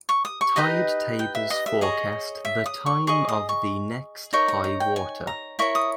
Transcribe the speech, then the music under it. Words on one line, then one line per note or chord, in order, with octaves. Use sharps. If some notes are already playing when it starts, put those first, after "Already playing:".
Tide tables forecast the time of the next high water.
C#6
D#6
C#6
D#4 G4 B4 D#5 A#5
G5
E5
D#5
E5
G#4 C#5 D#5
E5
D#6
C#6
G#4 D#5 C#6
D#6
C#6
D#4 A#4 C#5 C#6
A#5
A#5
G5
G#5
A#5
E4 A#4 C#5 C#6
D#6